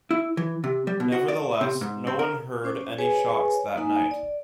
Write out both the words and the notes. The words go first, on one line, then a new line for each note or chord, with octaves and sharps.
Nevertheless, no one heard any shots that night.
E4
E3
C3
G3
B2
F#4
D5
C3
G#2
C4
A#4
C#4 C5 D6
G#4 B4 C#5 G#5
A#3 D#4 G#5
D5